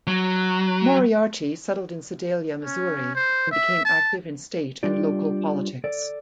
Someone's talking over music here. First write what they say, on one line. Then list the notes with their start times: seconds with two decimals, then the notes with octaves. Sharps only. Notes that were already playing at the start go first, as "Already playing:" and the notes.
Moriarty settled in Sedalia, Missouri, and became active in state and local politics.
0.07 F#3
2.65 C#4
3.15 C5
3.52 E5
3.85 A5
4.83 G3 D4 F4 G4 D5
5.84 A4 D5